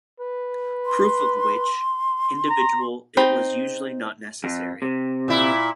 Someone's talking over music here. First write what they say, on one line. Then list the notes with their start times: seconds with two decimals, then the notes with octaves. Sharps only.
Proof of "which" individual it was is usually not necessary.
0.20 B4
0.86 C6
2.49 A#5
3.17 C4 D#4 B5
4.44 F2
4.82 C3
5.28 A#2 E4